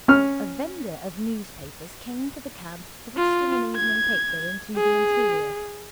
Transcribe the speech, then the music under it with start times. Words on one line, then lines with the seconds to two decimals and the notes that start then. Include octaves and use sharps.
A vendor of newspapers came to the cab thrusting an evening paper into the interior.
0.08 C#4 F6
3.17 F4
3.76 G#6
4.76 G#4